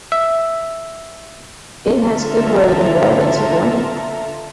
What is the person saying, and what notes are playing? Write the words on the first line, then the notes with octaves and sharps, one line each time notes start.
It has good road and rail links with London.
E5
D3 F4 A4 E5 A#5